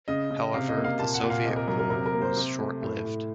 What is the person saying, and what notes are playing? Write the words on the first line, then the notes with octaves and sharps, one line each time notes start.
However, the Soviet rule was short-lived.
C#3 D#5
C#3
C3 F5
D#5
A#3
F5
A#2 A5
F#5
A#2
F5
C3 D#5
A#4
F#3 A#4
A#4
C3 A#4
A#4
A#3
C5
C3
A3
A2
A2